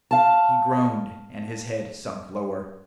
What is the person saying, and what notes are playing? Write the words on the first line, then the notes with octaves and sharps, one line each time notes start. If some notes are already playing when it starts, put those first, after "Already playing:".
He groaned and his head sunk lower.
F5 A5